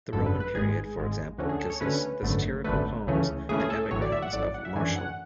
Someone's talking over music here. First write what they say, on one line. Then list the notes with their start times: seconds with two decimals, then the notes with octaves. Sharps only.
The Roman period, for example, gives us the satirical poems and epigrams of Martial.
0.13 G#1 F#2 D3 A4
0.26 B4
0.40 B4
0.55 G#1 G#2 G#3 G#4
0.97 G#1 G#2 G#3
1.38 D2 D3 A3 C#4 F#4
1.49 G#4
1.60 A4
1.70 C#5
1.81 D2 D3 A3 C#4 B4
2.22 G#1 F#2 D3 A3
2.64 G#1 F#2 D3 A3 B4
3.07 C#2 C#3 E3 A3 C#4
3.49 C#2 C#3 E3 A3 C#4 G#4
3.60 G#4
3.70 A4
3.91 A1 A2 F#3 C#5
4.02 D5
4.12 E5
4.22 F#5
4.33 A1 A2 F#3 D5
4.54 F#5
4.65 E5
4.75 F#2 E3 A3 D4 G#5
4.96 F#5